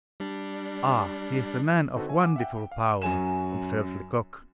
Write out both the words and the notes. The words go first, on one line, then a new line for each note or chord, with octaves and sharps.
"Ah, he's a man of wonderful power!" observed Lecoq.
G3 D4
D3 C4 D#4 F#4 A4 B4
C#5 E5 G#5
F#5 G#5 D6
E5 F#5 G5
F5
F#2 F#3 G#5 E7